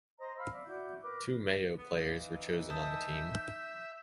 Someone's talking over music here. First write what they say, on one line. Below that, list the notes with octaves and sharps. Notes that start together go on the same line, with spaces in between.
Two Mayo players were chosen on the team.
C5 D#5 A#5 C6
F5 B5 E6 F6
D5 E5
E4 F#4 D5 G6
A#4 B4 D6
B3
E3 D#4 F5
D#5 E5 A5 G6